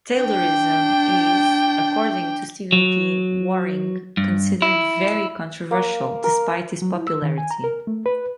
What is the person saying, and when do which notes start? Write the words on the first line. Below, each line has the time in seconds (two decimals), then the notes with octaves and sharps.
Taylorism is, according to Stephen P. Waring, considered very controversial, despite its popularity.
0.21 D4 G5
2.72 F#3
4.17 G2
4.62 E4
5.71 A#3
6.24 A#4
6.82 F#3
6.95 E4
7.07 E6
7.22 D#3
7.38 G#5
7.51 A#5
7.64 A#4
7.87 A3
8.06 B4